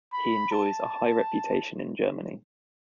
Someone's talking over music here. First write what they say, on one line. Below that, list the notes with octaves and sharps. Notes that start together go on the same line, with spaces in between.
He enjoys a high reputation in Germany.
B5
A5